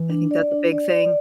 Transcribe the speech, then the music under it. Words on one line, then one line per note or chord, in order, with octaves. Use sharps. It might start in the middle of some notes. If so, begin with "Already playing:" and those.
I think that's a big thing.
Already playing: E3
D4
D5
D4
D5
D5